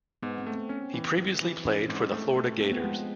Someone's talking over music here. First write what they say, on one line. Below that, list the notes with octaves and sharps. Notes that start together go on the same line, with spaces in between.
He previously played for the Florida Gators.
G#2 B3
C4
A3
C4
C4 C#4
E3
G#2
E3
E3 C#4
G#2 C4
A3
A3
A3 C4
B3
F3 G#3